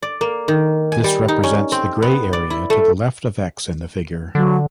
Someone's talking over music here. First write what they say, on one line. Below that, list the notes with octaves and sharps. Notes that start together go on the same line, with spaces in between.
This represents the gray area to the left of "x" in the figure.
D5
A#3
D#3
G#5
G3
D#4
C#4
C4
B3
D5
E4
A3
D3 F#3